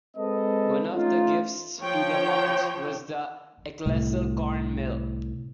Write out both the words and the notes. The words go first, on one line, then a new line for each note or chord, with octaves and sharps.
One of the gifts to the monks was the Ecclesall Corn Mill.
G#3 C4 A4 B4 D#5
A3 C#4 D#4 F4
F3 C#5 G5
C2 A2